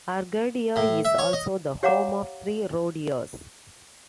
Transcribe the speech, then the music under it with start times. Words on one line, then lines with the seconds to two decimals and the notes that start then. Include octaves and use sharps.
Arcadia is also the home of three rodeos.
0.76 A2
1.05 E5
1.19 C#5
1.33 D#5
1.83 G4 C#5 F5 F#5 A#5 D6